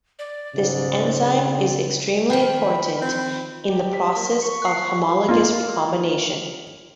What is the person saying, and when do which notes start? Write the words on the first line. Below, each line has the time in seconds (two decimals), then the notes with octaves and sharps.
This enzyme is extremely important in the process of homologous recombination.
0.19 D5
0.54 B1 G#2 C#3
1.27 B1 C4
2.30 D#3 F3 G5 B5
3.02 C4
3.69 G4
3.94 G3 B6
4.16 A#3
4.42 C#6
4.62 F#6 C7
5.29 A#3 F4